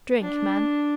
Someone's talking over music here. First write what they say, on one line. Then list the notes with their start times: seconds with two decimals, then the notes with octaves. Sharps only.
Drink, man!
0.21 D4